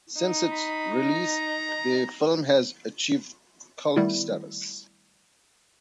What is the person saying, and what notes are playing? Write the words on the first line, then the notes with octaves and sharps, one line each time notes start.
Since its release, the film has achieved cult status.
D#4
B5
A#5
D#3 G3 A3 B3 E4